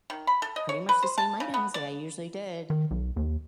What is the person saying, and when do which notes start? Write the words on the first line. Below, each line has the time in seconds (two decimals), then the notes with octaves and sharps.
pretty much the same items that I usually did,
0.10 D#3
0.27 B5
0.42 A4
0.56 D#5
0.69 C#5
0.89 B4
1.03 C5
1.18 A5
1.40 C#3
1.54 B3
1.74 D5
2.70 D#3
2.91 B1
3.16 D#2